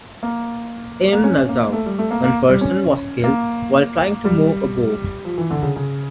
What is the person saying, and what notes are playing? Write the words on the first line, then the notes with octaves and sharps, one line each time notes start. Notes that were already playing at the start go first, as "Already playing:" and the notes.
In Nassau, one person was killed while trying to move a boat.
A#3
A#3
C#4
A#3
A3
G3
A3
A#3
A#3
G3
C#4
A#3
G3
F3
E3
D3
C#3
C#3